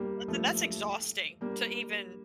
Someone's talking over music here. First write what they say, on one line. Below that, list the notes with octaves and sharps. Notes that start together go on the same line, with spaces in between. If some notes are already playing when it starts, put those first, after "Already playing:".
That's e that's exhausting to even
Already playing: G3 A#3
F3 A3
G3 A#3